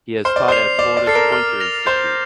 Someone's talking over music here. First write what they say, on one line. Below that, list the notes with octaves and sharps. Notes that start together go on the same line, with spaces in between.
He has taught at Florida's Poynter Institute.
C5 F6
D5
C5 C7 F7
D5 D6
D5
A4 F6 A6 C7
A#4
F6
A#6 F7
C5 G6